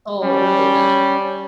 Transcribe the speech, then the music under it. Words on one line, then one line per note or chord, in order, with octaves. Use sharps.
all really bad.
G3 C#4